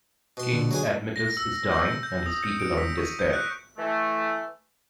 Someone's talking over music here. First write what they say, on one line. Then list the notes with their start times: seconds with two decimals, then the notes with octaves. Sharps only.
King Admetus is dying, and his people are in despair.
0.37 B2 C6
0.53 D3
0.71 F#3 G#4 G#5
1.16 A#6
1.37 E6
1.72 G6
1.91 E6
2.03 G6
2.26 D#6
2.43 C#7
2.60 D7
2.77 B6
2.98 C#6
3.19 G6
3.33 F#6
3.78 E3 A3